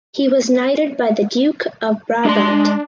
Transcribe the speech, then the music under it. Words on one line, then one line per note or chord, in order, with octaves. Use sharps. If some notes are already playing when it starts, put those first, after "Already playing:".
He was knighted by the Duke of Brabant.
G#3 D4 C6